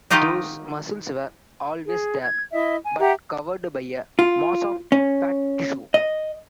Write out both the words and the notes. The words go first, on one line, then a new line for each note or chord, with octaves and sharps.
Those muscles were always there but covered by a mass of fat tissue.
D#3 D#4 F4 G4 D#5 F#5
G#4
G#6
E4 D#5 E5
G#5
G4 E5 F#5 A#5
F4
C#4
D#5